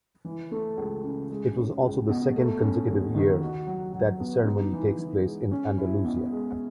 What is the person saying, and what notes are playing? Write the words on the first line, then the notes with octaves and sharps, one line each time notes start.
It was also the second consecutive year that the ceremony takes place in Andalusia.
E3
A3
C#2
C#3
G#3
C#4
C#2
B2
A3
C#4
D#2
D#3
F#4
F#3
F#3
B3
D#4
E3
E3
G#3
C#4
E4
B2
G#3